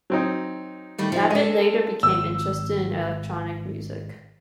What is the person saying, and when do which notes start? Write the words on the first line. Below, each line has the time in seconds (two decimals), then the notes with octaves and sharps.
Babbitt later became interested in electronic music.
0.10 F#3 C4 D#4
0.98 D#3 G3 A3
1.12 F3 D#4 G4
1.30 G#3 A4 D#5
2.03 G#1 E6